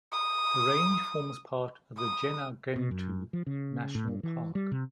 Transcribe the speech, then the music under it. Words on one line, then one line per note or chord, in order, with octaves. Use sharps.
The range forms part of the Gennargentu National Park.
D#6
D#6
B2
F#2
F3
C#3
A2
G2
E3
G3
C3